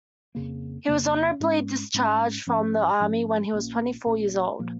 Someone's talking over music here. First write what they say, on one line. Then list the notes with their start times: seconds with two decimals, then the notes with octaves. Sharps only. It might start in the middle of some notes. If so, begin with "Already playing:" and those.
He was honorably discharged from the Army when he was twenty-four years old.
0.35 F2 C#3 A#3
0.88 F2 C#3 A#3
1.40 G#2 G#3 C#4
1.94 G#2 G#3 C#4
2.47 G#2 F3 C#4
3.00 G#2 F3 C#4
3.52 A#1 A#2 A#3 C#4
4.05 A#1 A#2 A#3 C#4
4.59 A#2 F3 A#3